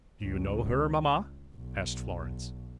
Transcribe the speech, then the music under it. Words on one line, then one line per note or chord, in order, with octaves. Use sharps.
"Do you know her, mamma?" asked Florence.
C#2
B1